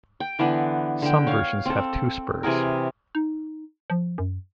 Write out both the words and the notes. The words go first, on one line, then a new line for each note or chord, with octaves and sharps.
Some versions have two spurs.
G5
D3 E3 B3 D4
D3 G5
C#5 F5
C4 A4
C3 E3 G#4 A#4
D#4
F3
F#2